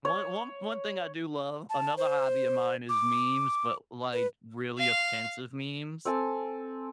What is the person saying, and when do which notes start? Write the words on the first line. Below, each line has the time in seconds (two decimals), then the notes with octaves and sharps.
One one one thing I do love another hobby of mine is memes, but, like, really offensive memes.
0.05 C#5
1.70 A5
1.97 C5
2.89 D6
4.13 B4
4.78 F5
6.05 C4 A4 G#5 A5